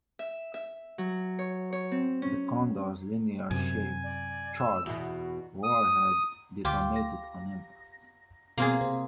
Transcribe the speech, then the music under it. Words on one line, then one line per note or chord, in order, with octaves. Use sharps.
The Condor's linear shaped charge warhead detonated on impact.
E5
E5
F#3
C#5
C#5
C4
C#4
F#2 C3 G#5
D5
E6
E2 B2 F#4
D#6
D2 F4 G4
A#6
B2 A#3 C4 F4 G#4 C6
C3 C4